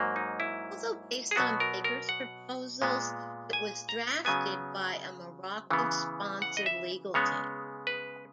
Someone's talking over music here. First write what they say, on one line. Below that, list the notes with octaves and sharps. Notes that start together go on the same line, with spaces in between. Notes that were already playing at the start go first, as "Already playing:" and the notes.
Although based on Baker's proposals, it was drafted by a Morocco-sponsored legal team.
Already playing: G#2 F#3 A#3
D#4
E4
G#4
B2 F#3 B3 F#4
A#4
A#4
F#5
A#2 G#3 B3
G#5
A#5
C#3 F#3 B3 G#5
C#3 E3 B3
F#5
D#5
E5
C#3 G#3 B3 C#5
B4